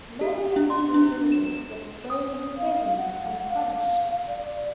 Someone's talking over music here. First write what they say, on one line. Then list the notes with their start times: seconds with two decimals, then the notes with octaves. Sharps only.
Many of its leaders were thrown in prisons and punished.
0.21 G4
0.56 D4
0.70 C6
0.94 D4
1.32 E7
2.10 D#6
2.57 F5
2.97 F#5
3.48 F5
4.27 D5